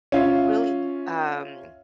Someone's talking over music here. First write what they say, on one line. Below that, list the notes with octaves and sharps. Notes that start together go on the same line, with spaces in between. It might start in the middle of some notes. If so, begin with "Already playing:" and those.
really l um,
C#4 F4 E5